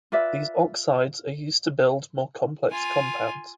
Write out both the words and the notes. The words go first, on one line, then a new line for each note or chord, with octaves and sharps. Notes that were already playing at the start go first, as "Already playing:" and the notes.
These oxides are used to build more complex compounds.
F4 B4 D5 E5
F4 G#5